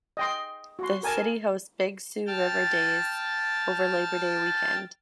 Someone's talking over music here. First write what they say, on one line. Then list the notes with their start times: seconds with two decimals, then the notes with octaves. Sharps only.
The city hosts "Big Sioux River Days" over Labor Day Weekend.
0.17 D#5 G5 C6
0.79 F#4 C6
1.03 A#4 G#5 A5
2.27 G5 A5 F6 A6